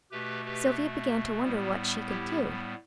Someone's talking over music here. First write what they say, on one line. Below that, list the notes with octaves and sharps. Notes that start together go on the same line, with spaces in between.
Sylvia began to wonder what she could do.
B2 A3 G4 B4
G4 B4
A2 G3 B3
E4 G4